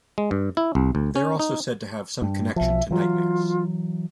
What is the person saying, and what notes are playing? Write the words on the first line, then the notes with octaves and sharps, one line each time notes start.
They are also said to have some connection to nightmares.
G#3
G2
E4
C2
D2
C#4
D#4
G2
B1 F3 E5
E3 F#3 F4